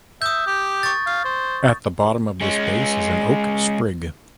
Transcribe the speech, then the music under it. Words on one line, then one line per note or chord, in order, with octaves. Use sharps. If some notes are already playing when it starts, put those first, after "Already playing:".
At the bottom of this base is an oak sprig.
E5 D#6 G6
G4
C#6 A6
F5
C5
G#3 C#4